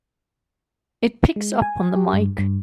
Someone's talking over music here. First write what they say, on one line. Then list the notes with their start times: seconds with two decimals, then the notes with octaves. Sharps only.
It picks up on the mike!
1.36 G#3
1.62 G#5
1.96 G4
2.13 G2
2.38 G2